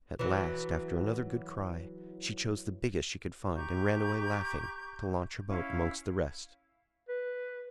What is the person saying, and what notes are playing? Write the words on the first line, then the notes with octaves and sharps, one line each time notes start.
At last, after another good cry, she chose the biggest she could find, and ran away laughing, to launch her boat amongst the rest.
E3 F#3
G4 A#5 C#6 G6
C#4 E4 F5
B4